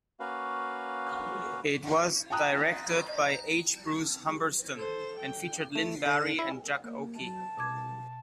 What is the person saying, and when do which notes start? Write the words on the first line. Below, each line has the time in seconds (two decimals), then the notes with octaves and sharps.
It was directed by H. Bruce Humberstone and featured Lynn Bari and Jack Oakie.
0.20 A#3 C#4 F#4 B4 F5
2.30 G5 A5 A#5 D#6 F#6
4.76 A4 C5
5.19 G5
5.75 A3
6.06 D3
6.39 E4
6.84 A#3
7.20 F#3 A5
7.57 C2 B2 D6 G#6